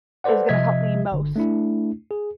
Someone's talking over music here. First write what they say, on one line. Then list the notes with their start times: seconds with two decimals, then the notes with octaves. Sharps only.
is gonna help me most
0.24 A4 B4 C5 D5 F#5
0.49 C3 F3 D#5 E5 G#6 B6
1.12 G1 D3
1.36 A3 D4 E4
2.11 G#4